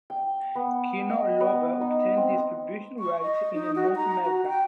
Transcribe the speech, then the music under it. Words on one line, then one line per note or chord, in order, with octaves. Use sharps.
Kino Lorber obtained distribution rights in North America.
G5
B3
D#5
B3
D#4
C4
C#6
D#5
D#4
F#4
A#5
F#4
G5